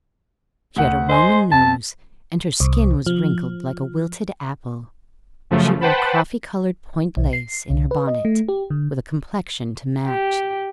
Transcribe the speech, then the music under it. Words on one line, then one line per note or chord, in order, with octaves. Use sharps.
She had a Roman nose, and her skin was wrinkled like a wilted apple; she wore coffee-coloured point-lace in her bonnet, with a complexion to match.
D2 F#5
C5 D#5 G#5 C6
F2 A5
C2
F3
F#2 C#3 F3 A3
B4 C5 F#5 G5 A5 B5
B1
C7
C2
B4
D#5
A3
G4
D3
G4